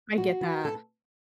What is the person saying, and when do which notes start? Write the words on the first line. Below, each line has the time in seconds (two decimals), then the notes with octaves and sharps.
I get that.
0.17 A2 F#4
0.41 E3
0.64 A2 A4